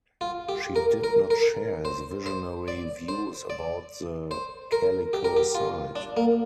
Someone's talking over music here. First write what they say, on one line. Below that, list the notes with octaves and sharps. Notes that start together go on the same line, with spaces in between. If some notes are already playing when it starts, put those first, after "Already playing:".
She did not share his visionary views about the Calico site.
F4
G4
A#4
A#4
A#4
C5
C5
D5
C5
D5
C5
A#4
G4
A#4
G4
F4
D4
A#3